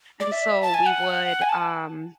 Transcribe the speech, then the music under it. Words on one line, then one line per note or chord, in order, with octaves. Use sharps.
and so, we would, um,
D5
E5
A5
G#5
F#5
G#5
A5